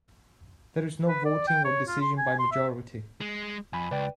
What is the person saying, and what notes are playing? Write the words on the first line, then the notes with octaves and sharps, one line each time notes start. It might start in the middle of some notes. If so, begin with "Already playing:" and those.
There is no voting or decision by majority.
B4
D5
G5
C#5
F4
C6
G#5
C6
E5
G#3
F2 G#5 B5
C#2 B4 D5 G5